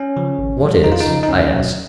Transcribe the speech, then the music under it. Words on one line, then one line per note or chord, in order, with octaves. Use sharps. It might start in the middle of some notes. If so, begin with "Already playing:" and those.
"What is?" I asked.
Already playing: C#4
C#3 F3
G#1
G#2 F#3
F2 D#4
F4
D#4
C#3 F3
D#4
C#2 C#4
B2 F#3